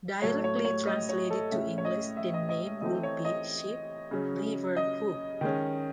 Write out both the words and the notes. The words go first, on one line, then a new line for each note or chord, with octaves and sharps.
Directly translated to English, the name would be 'Sheep-river-hook'.
A2 F#3 A3 C#5
C#5
C#5
D#5
C#5
A4
A2 G#3 C#4 E5
C#5
D#5
E5
D#5
D#5
E3 A3 C4 D#5
C#5
D#5
C#3 F#3 C#4
D#5
D#3 G#3 C#4